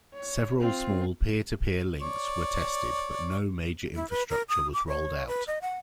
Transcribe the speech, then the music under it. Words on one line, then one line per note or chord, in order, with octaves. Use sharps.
Several small peer-to-peer links were tested, but no major infrastructure was rolled out.
C#5
C4 F4
C#5 D5
E4
B4
A#4
D#6
D6
C#5
B4
D#5
F#5